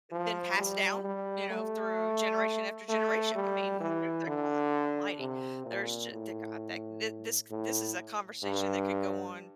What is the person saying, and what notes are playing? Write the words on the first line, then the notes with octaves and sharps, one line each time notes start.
eh, been passed down, you know, through generation after generation? I mean, they're they're god almighty. There's j thank god that thi this c this is a conversation that could go on
F3
G3
G3
A3
A3
G3
E3
D3
C3
A#2
A2
A2
G2